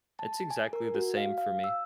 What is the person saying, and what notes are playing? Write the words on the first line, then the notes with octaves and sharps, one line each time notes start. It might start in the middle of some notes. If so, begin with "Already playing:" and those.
It's exactly the same for me.
A5
G#5
A#4
F#4
F5
F5
E6